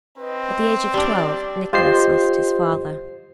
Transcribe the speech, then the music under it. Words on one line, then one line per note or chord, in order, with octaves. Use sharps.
At the age of twelve Nickolas lost his father.
C4 B4 D#5
G3 D4 D5 D6
F4 G4 C5 D#5 C7